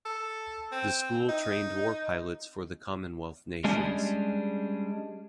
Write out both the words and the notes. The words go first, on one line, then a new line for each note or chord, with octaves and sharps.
The school trained war pilots for the Commonwealth nations.
A4
C4
D#4
G3 G#3 C#4 D4 G4 G#4